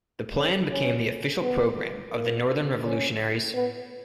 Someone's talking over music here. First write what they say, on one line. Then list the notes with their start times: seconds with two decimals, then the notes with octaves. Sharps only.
The plan became the official program of the northern revolutionaries.
0.36 C#4
0.72 C#4
1.42 B3
2.13 A#3
2.84 C#4
3.54 B3